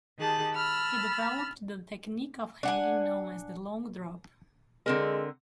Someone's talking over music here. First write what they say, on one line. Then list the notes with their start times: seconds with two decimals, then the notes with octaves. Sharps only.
He developed the technique of hanging known as the "long drop".
0.18 D#3 G4 G#4 A5 F#6
0.54 A5 B5 E6 F6
2.63 D4 F#5 G#5
4.86 D3 G#3 C4 A#4